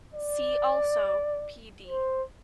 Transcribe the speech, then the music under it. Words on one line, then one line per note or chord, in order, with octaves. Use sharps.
See also Pd.
D5
C5